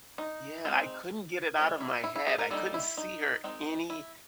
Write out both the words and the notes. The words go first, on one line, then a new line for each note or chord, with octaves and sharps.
Yeah, I couldn't get it out of my head. I couldn't see her any
D#4
G#3 C4 D#4
F3 G#3 C#4
E4
E4
E4
G#4
A#4
G3 A#3 D#4 A4
E4
D#4
D#3 G#3 C4 D#4
E4